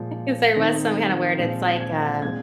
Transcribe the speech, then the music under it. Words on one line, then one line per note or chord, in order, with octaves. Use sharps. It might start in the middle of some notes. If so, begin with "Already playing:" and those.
'cause there was some kinda word, it's like, uh
Already playing: A#2 F3 G#3
D#3 C4 D#4 A#6
A#2 F3 G#3 C4
G#6
A#2 G#3 C4 G#6